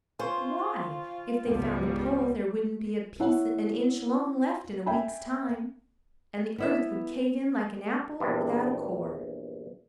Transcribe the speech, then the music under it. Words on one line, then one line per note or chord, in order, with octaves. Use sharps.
Why, if they found the Pole, there wouldn't be a piece an inch long left in a week's time, and the earth would cave in like an apple without a core!
F4 C5 G#5 C6 C#6
C#2 G#2 G3 B3
E4 C#5 F#5
E5 G5 G#5 B5
B3 E4 E5
A#1 E2 G2